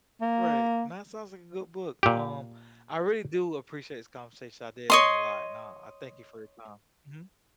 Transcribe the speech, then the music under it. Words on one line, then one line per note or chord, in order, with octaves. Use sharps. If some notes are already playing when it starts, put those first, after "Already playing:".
Right, and that sounds like a good book, um, I really do appreciate this conversation. I did learn a lot, nah, I thank you for your time, mhm,
A#3
A#2 G4
C#5 D#5 C6